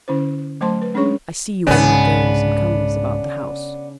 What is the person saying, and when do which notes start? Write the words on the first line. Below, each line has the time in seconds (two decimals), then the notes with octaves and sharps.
I see you on your goings and comings about the house.
0.08 D3 C#4 E4 C5
0.61 F#3 A3 C5 A5 C6
0.82 B4
0.94 G#3 C#4 D4 G#4 C#5 C#6
1.67 C2 G#2 C#3 B3 D4